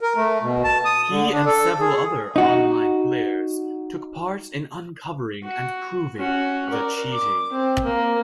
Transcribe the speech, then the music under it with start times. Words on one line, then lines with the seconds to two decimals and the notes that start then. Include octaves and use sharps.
He and several other online players took part in uncovering and proving the cheating.
0.01 A#4
0.16 A3
0.43 B2
0.64 A5
0.85 D#6
1.09 D3
1.33 D4
1.46 A4
1.79 G#4
2.36 D#4 F#4
5.44 F#4
6.16 C#4 F#4
6.70 A#4 D5
7.13 D6
7.51 C4
7.84 A#3